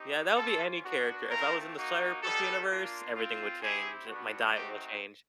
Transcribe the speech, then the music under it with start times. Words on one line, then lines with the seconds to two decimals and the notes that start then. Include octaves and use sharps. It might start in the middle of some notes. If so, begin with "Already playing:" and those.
Yeah, that would be any character. If I was in the Cyberpunk universe, everything would change it My diet will change.
Already playing: C4 D#4 G4
0.35 A#3 C#4 F4 A4
0.82 B3 D4 F#4
1.28 A3 C4 F4 A#4
1.75 A#3 D#4 F#4
2.21 G3 B3 D#4 G4 A4
2.68 A#3 D4 F4
3.14 C4 F4
3.61 C4 E4 G4 G#4
4.07 G3 B3 D4 F#4
4.54 A3 C4 D#4 F#4 G4